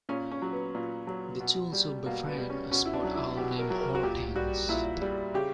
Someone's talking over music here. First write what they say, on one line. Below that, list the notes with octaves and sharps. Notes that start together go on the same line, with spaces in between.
The two also befriend a spotted owl named Hortense.
A#2 C#4
C#4
F#3
B3
A#2
F#3
B2
G3
B2 A#3
B3
G3
C#4
B2 C#4
E4
D4
F#3
E4
B2 G4
A#4
F#3
A#4
F#4
A#2 G4
G3 F#4
A#2 E4
G3
C#3 G4